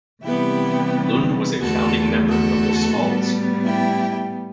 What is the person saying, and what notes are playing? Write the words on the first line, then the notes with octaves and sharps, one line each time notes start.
Lund was a founding member of the smalls.
C3 E3 G3 B3 E4 G4
E2 D3 A3 F#4 A4
F#4 A4
A2 G3 B3
E4 G4